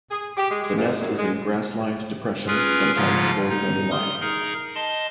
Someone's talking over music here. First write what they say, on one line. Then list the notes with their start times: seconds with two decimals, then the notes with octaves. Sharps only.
The nest is a grass-lined depression, sometimes devoid of any lining.
0.11 G#4
0.37 G4
0.50 G#3
0.64 G#3
0.76 G#2
1.00 F#2
1.17 G#3
2.47 C#4 F4 G#4 A#4 B4
2.96 G#2 C#3 F3 F4 F5
3.49 D#4
3.91 C6 D#6 F6
4.20 D#4 G#4 A#4
4.75 D#5 A5 C6